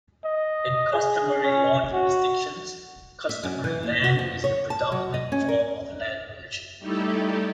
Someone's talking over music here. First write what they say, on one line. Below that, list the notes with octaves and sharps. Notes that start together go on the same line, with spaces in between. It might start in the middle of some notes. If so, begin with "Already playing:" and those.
In customary law jurisdictions, customary land is the predominant form of land ownership.
D#5
G#4
C#4
F#4
E5
F#2
E3
D#2
F#4
F3
C#5
A5
F#3
D#5
C#4
A#4
G3 A3 D#4 E4 G4 A4